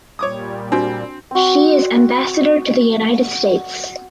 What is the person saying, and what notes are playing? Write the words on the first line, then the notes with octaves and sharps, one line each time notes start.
She is ambassador to the United States.
A#2 G3 C#5 D6 D#6
C4 D4 F#4
C4 F#4